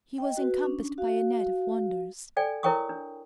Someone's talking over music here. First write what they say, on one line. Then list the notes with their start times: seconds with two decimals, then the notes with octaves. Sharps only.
He was encompassed by a net of wonders.
0.18 D#5 G5
0.37 F#4 B4
0.64 C#4 D4
0.98 F#4 F5
2.37 A4 D5 G5 G#5
2.63 E4 A#4 C#5 G5 C#6 D#6
2.89 D4